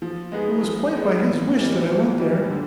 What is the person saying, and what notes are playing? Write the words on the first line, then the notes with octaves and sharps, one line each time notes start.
It was quite by his wish that I went there.
F3
G#3 B3 D#4 G#4
F3
G#3 B3 D#4 G#4
A2
E3 G3 A#3 D#4
A2
E3 G3 A#3 D#4
D3